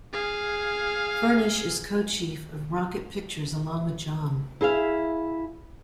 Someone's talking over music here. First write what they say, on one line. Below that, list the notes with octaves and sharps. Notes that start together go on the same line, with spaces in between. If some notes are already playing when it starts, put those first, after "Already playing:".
Furnish is co-chief of Rocket Pictures along with John.
G#4 F5
E4 G#4 E5 F5